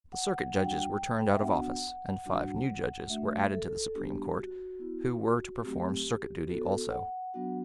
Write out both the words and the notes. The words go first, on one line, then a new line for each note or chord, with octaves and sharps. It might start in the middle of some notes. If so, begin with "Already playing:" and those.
The circuit judges were turned out of office, and five new judges were added to the Supreme Court, who were to perform circuit duty also.
F#5
G3 D4 F#4 G5
F#5
G5
E5
B3 D4 F#4 F#5
G3 D4 F#4
A3 D4 F#4 E5
A4
G3 B3 D4 F#4 G4
F#4
B3 E4
F#3 A3 C4 G4
B3 F#4 A4
F#5
F#3 B3 D4 F#4 F#5